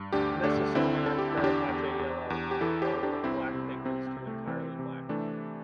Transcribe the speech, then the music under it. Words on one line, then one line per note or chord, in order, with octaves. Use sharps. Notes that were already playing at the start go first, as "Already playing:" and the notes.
Mesosoma and carapace yellow in color with black pigments to entirely black.
Already playing: G2
D2 D4 G4
D2 A3 D4
D3 C4 E4
D3 A4
G4
E4
E2
D4 G4
E2
E2
E2
G4
E3 E4 A4
G4 C5
E2
D4 G4
C2 C4 E4
C3
C3 C4
C4
C3
A3
E3 C4
C3
E3 A3 D4